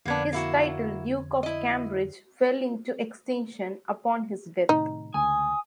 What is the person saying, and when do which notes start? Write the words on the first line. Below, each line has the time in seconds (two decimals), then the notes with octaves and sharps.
His title, 'Duke of Cambridge', fell into extinction upon his death.
0.06 F2 D3 A#3 B3 D4 G#6
0.33 A#3 E4 F#4
1.43 E4 D#5
4.69 A2 C3 D#3 D#4
5.14 C#2 D3 A3 G#5 D#6